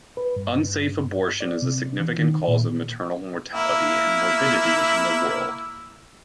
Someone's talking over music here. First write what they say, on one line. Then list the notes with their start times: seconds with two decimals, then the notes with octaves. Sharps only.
Unsafe abortion is a significant cause of maternal mortality and morbidity in the world.
0.17 B4
0.36 G2
1.41 D5
1.62 C3
2.00 E3
2.18 D#3
2.48 A#2
3.53 A#3 E4 E6